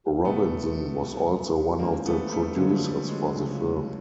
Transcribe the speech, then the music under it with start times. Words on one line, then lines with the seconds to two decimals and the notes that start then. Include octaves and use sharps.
Robinson was also one of the producers for the film.
0.24 C#2 B2 G#3 A3 B3
1.02 C2 B2 G3
1.79 D#3 G#3 A#3 C4 C#4 F4 A#4
2.06 A3 B3
2.31 G3 A3
2.57 D3 F3 F#3 G#3 A#3 D4
2.82 G3 A3
3.08 F#3 G#3
3.34 C#2 C#3 F3 A3 D4